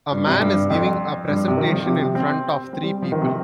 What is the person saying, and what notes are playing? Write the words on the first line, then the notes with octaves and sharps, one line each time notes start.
A man is giving a presentation in front of three people.
G2
C3
G2
F2
G2
C3
D#3
F3
C3
C3
C4
C4
G3
F3
D#3
C3